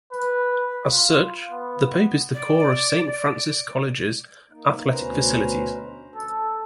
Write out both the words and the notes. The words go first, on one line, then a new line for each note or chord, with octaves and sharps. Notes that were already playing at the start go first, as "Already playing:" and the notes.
As such, The Pope is the core of Saint Francis College's athletic facilities.
B4
F4
B3
D5
A#3 D#4
D2 B2 C#4 B4 C5 A#5
A4